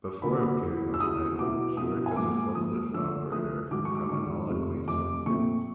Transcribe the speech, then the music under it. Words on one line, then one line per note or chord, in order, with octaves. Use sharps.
Before appearing on "Idol", she worked as a forklift operator from Inala, Queensland.
D3 F#3 A#3 B5
E2 C#3 F#3
E6
E2 C#3 F#3 D#6
B2 F#3 B3 E4 D6
B2 F#3 B3 E4 D#6
G#5
G#2 F3 A#3 D6
G#2 F3 A#3 D#6
D3 F3 A3 E6
D3 F3 A3 D#6
G#2 D#3 F#3 D6
C#6
D6
G#2 D#3 F#3 C#6
F2 C3 F3 A3
F2 C3 F3 A3 D6
A#2 F3 A3 C4 C#6